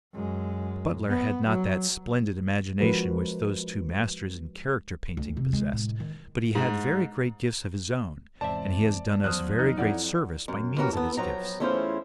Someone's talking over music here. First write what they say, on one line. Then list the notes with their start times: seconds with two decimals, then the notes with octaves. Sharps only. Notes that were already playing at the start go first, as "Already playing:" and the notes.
Butler had not that splendid imagination which those two masters in character-painting possessed, but he had very great gifts of his own, and he has done us very great service by means of his gifts.
0.13 F#2 G#3
1.08 B3
1.46 F#3
2.81 F3 G#3 D4 F#4 A#4 B4
5.17 D2
5.37 C3
5.53 G#3
5.73 A2
6.00 D#3
6.55 G#2
8.41 E2 G#2 C3 C5 D5 E5 A5
9.24 E2 F3 F#3 C5 D#6 F6 F#6
9.59 D#4
9.78 F2 E4 C#5 D5 F#5
10.48 F#2
10.78 E3 C#4 F#4 G4 A#4
10.93 B3 A4
11.18 F3 F#3 B3 G5 A#5
11.60 E2 A3 C#4 E4 F4 C5